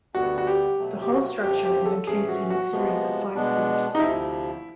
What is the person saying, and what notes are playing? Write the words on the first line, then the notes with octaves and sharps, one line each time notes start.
The whole structure is encased in a series of five hoops.
D2 D3 G3 B3 F#4
F#4
G4
B2 F#3 A3
G4
F#4
F#2 D3 F3 A3 C4 G4
G4
A4
A2 E3 A3 C#4 G#4
F#4
F#4
C3 F3 G#3 B3
B2 G#3 B3 D4
D#4
D2 C3 F3 E4